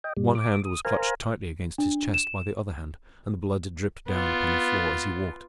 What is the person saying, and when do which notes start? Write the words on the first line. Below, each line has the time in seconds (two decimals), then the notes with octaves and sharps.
One hand was clutched tightly against his chest by the other hand, and blood dripped down upon the floor as he walked.
0.04 D#5 G5
0.17 G2 A#2 G3
0.35 D6
0.65 D#6
0.85 A#4 C5 F5 G#5 A#5
1.78 D4
2.14 E7
4.08 B3 F4